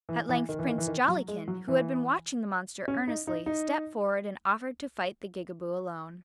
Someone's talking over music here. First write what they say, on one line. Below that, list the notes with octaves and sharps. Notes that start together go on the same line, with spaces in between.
At length Prince Jollikin, who had been watching the monster earnestly, stepped forward and offered to fight the Gigaboo alone.
E3
E3
D#3
E3
D#3
E3
D#3
F#3
G#3
F#3
E3
C#4
D#4
D#4
D#4